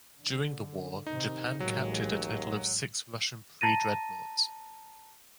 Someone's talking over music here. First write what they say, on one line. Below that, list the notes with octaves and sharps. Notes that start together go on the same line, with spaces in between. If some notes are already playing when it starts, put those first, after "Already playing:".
During the war, Japan captured a total of six Russian pre-dreadnoughts.
D3
C3 D#3 D#4
A1 D#2 F#3 G#3
A5 A#5 A6 A#6 D#7